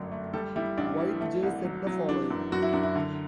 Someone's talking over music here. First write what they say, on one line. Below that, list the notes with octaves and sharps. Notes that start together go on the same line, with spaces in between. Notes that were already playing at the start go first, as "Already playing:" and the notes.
White J said the following.
Already playing: G1 F#2 D3 A3
A3
G3 A4
G3 E4
A1 D4
E3
A3
C2
F#3
F#3
E3 D4
F#2
F#2 F#4
E4
F#2 D4
E4
D3